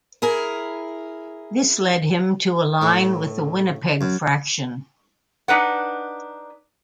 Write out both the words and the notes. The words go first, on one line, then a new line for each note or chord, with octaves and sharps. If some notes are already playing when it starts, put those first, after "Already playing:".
This led him to align with the Winnipeg fraction.
E4 G#4 A#4
A2
F#2
D4 D#4 B4 F#5